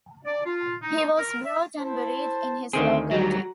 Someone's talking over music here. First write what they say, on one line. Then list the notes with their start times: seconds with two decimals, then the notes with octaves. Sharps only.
He was brought and buried in his locality.
0.25 D5
0.45 F4
0.82 D#4
1.18 A#4
1.45 E5
1.80 E4 C5 A5
2.73 D2 D#3 C4 G#4 A4
3.11 F#3 G3 F#4 G4 A#5